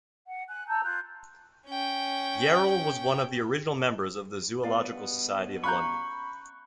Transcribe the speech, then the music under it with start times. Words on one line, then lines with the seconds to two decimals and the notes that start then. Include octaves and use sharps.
Yarrell was one of the original members of the Zoological Society of London.
0.25 F#5
0.48 G#5 F#6
0.68 A5 A#5 E6 G6
0.83 F4 F#6 G6
1.67 C#4 G5
4.62 G2 B2 B3 A#4 D5 F5
5.64 C#4 F5 A#5 B5 C#6 F#6 G6